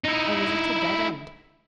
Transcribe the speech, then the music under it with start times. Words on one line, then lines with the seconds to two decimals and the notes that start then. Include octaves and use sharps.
I was at a dead end.
0.04 D#4 E4